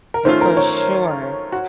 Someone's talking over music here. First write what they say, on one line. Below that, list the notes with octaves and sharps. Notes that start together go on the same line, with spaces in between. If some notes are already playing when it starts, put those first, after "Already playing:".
For sure.
A#4
D#3 A3 C#4 F4 C5
A#4
C#5
F#4